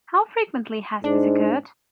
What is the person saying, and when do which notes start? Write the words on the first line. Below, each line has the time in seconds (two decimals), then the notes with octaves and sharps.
How frequently has this occurred?
1.04 G#2 D4